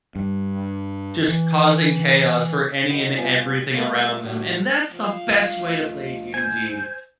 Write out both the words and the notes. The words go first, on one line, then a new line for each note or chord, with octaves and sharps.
just causing chaos for any and everything around them, and that's the best way to play D&D
G2
E3
D#3 F#3 F4
F2 F3 G3 B3 F4 G#5
G3 A3 A#3 F4 A4 A#4
A2 D3 G3 F#4
D2 F3 F5
C5 G#5